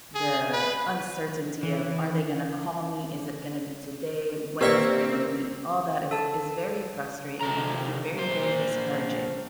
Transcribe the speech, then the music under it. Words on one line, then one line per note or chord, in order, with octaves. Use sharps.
the uncertainty of, "Are they gonna call me? Is it gonna be today? When is it going to be?" All that is is very frustrating and can be very, very discouraging.
G#4
B4
E3
A#3 C4 G4 B4 D5 E5 C#6
A4 A5
C3 A4 A#5
A#2 C5